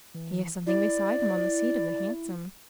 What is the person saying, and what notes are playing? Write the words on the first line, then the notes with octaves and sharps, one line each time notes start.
"He has something beside him on the seat of the hansom."
E3
E4 D5